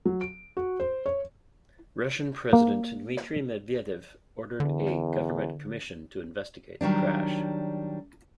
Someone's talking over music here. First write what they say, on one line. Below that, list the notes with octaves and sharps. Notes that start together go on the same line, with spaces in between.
Russian President Dmitry Medvedev ordered a government commission to investigate the crash.
F#3
D7
F#4
C5
C#5
A#3
E2 D3
D#3 F#3 G3 D4